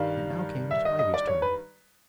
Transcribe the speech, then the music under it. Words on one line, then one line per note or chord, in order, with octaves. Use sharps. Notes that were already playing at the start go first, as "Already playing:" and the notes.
It now came to Spivey's turn.
Already playing: G2 D#3 G3 F5
E5
D#5
D#5
D5
C#5
B4